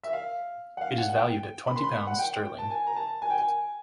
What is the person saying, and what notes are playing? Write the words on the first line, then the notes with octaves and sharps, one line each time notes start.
It is valued at twenty pounds sterling.
E5
F5
F#5
F5
F#5
F#5
G5
B5
C6
B5
F#5
G5
A5
G#5
A#5
A5
G#5
G5
G#5